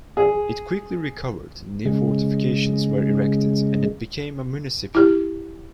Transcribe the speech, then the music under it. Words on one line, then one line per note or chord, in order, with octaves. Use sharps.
It quickly recovered, new fortifications were erected, and it became a "municipium".
G#4
C#3 G#3
E4 G4